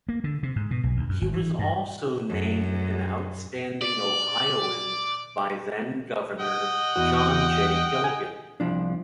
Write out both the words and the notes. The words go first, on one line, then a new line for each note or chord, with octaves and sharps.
He was also named an Outstanding Ohioan by then-Governor John J. Gilligan.
A#3
D3
C3
G#2
B2
B1
D2
F#2
G#1
E3
G2
F#2
D5
D#5 F#5 G5
E2 F#4
G#5
C2 F3 D4